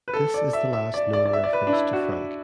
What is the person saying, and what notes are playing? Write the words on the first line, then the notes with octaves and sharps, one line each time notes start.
This is the last known reference to Frank.
B4
A4
D5
E5
E5
D5
D5
D5
E5
D5
B4
D4
E4
F#4